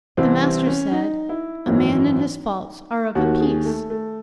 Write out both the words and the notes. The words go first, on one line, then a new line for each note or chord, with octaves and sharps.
The Master said, A man and his faults are of a piece.
C2 C3 E3 C4
C4
C#4
D#4
E4
G#1 F#2 E3 D#4
D#2 D#3 F#4
G#4
A3
A3